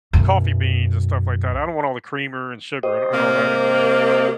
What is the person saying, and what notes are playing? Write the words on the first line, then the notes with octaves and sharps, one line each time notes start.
coffee beans and stuff like that. I don't want all the creamer and sugar and and all that in there.
B1 F#2
G4 C5 D#5
C3 A#3